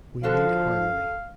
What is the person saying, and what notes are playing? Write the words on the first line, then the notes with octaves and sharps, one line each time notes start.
We need harmony.
D3 F3 F#4 A4 F5